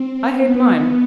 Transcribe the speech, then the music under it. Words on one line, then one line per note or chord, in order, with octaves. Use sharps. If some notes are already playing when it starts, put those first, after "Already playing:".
I hate mine.'
Already playing: C4
B3